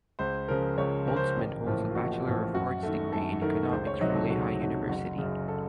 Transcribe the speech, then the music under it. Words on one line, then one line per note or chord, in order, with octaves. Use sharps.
Holtzman holds a Bachelor of Arts degree in Economics from Lehigh University.
C#2 C5
C#3 F3 A#4
C#2 C#5
C#3 F3 A#4
C5
A#4
A1
A2 F3 A#3
F4
A1 F#4
A2 F3 A#3
F#2 F#4
D#3 A3
F#2 A4
D#3 A3 A#4
C#2 C5
C#5
C3 D#3 F#3 D#5
A4
C#2 F#4
C3 D#3 F#3
F#1 F#4
F#2 C#3
A4